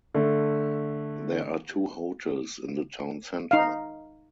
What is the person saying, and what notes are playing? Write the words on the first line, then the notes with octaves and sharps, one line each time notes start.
There are two hotels in the town center.
D3 A3
D#4 F5